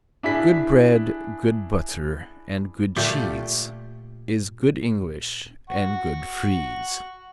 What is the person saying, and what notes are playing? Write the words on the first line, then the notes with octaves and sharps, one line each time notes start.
Good bread, good butter and good cheese Is good English and good Friese.
D4 E4 G#4 B6
A#2 A3 F4 G4
F#5 C#6